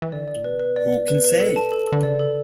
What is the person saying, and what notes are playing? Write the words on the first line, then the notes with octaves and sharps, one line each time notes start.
Who can say?
E3
D3 D5
D5
A2
B2 B4
B4
D5
D5
B4
B4
A4
A5
A4
A4
D3
C#3 D5
A4